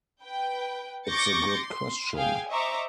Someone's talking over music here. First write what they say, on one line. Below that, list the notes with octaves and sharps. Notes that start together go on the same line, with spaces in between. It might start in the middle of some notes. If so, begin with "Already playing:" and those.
It's a good question.
B4 G5
C#6 D6 G6 A6 A#6 C#7
C6
G#4 F5 G5 G#5
C5 D#5 E5 A#5 C#6 D6